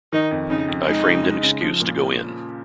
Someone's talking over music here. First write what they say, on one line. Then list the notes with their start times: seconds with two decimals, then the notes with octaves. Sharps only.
I framed an excuse to go in.
0.13 D#3 D#4
0.31 F2
0.49 C#3 D#4
0.68 F2
0.87 G#3 D#4
1.05 C#3
1.24 G#3
1.43 C#3
1.61 F3
1.80 A#2